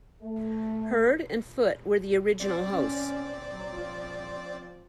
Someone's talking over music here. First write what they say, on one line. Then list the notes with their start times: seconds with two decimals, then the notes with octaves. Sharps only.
Heard and Foote were the original hosts.
0.21 A3
2.40 C4 D5
2.73 C#4
3.51 F#3
3.73 F3 F4